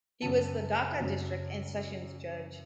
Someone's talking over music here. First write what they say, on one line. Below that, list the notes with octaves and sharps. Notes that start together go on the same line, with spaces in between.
He was the Dhaka District and Sessions Judge.
F#2 C#3 F#3 A5
F#2 C#3 F#3